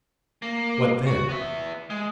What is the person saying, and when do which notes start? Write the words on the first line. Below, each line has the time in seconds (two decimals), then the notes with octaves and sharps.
What then?
0.42 A#3
1.07 F#4
1.29 B3 E5
1.90 G#3